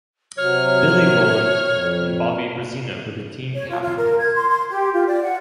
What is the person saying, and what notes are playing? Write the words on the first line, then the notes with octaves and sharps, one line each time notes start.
Billy Roland and Bobby Brezina were the team captains.
C3 F#3 C#5 F6
F2
C#5
F4
F4
A#4
G#6
C6
C6
G4
F4
D5
F#5